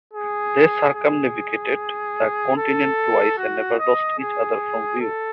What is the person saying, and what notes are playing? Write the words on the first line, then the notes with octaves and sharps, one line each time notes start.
They circumnavigated the continent twice and never lost each other from view.
G#4
G#4
A4
F#4
D#5
G#4
A4